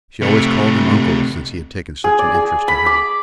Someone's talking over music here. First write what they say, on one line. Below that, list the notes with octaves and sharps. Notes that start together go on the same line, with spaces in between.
She always called him uncle, since he had taken such an interest in her.
C3 A3
G#4
D5
G#4
B5
D6